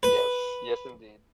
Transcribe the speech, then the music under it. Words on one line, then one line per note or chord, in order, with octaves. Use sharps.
Yes, yes, indeed.
B4